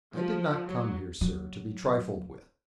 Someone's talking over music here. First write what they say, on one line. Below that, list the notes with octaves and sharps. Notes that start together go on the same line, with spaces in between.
"I did not come here, sir, to be trifled with."
F3
F#3
F#3